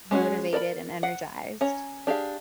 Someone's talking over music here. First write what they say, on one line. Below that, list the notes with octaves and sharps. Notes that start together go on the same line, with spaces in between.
motivated and energized.
G#3 C#4 D4 F#4 G#4
A#4 D5 A#5 B5
F#5
C#4 C#5 A#5
D4 G4 G#4 F5